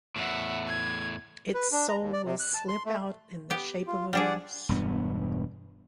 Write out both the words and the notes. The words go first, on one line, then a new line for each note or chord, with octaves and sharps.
Its soul will slip out in the shape of a mouse.
E2 A2 E5 F#5
G#6
B4
D4
A#5
D#2
D5
C3
F#6
A5
C6
A3
B3 G4
F4
G3 D4 G#4 D5 F#5
E1 G2 B3